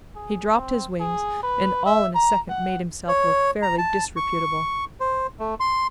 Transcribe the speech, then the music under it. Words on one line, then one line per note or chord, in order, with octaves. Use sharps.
He dropped his wings and all in a second made himself look fairly disreputable.
G#4
C4
G#4
B4
E5
A#5
F#5
C#5
A#5
A5
C#6
C5
A3
C6